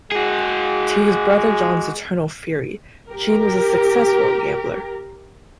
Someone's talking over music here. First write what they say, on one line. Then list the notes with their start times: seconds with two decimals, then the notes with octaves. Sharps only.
To his brother John's eternal fury, Gene was a successful gambler.
0.12 G#3 F#4 G#4
3.10 G4 A#4